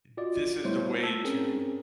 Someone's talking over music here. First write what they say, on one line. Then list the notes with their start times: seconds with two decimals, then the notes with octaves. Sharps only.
Eh, this is the way to
0.17 F4 F#4 D5 D#5
0.65 G3 A3 B3 E4 C5 C#5
1.03 A3 A5 E6
1.24 C4 C#4 G#4 A#4